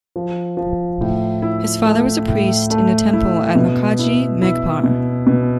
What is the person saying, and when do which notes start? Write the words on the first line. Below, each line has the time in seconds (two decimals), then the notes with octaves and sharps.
His father was a priest in a temple at Makaji Meghpar.
0.16 F3
0.57 F3
1.01 A2
1.42 E4
1.86 A3
2.28 A2
2.70 A3
3.13 E4
3.55 B2
3.99 E4
4.42 E4
4.84 B2
5.27 B2